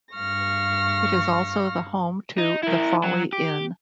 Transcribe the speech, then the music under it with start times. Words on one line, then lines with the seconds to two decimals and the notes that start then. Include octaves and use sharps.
It is also the home to The Folly Inn.
0.15 G2 F5 C#6 F6 A#6
2.38 D#4
2.63 E4 A#4
3.04 F#3
3.33 G4